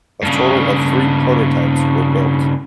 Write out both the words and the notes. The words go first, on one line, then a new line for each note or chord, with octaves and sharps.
A total of three prototypes were built.
G2 C#3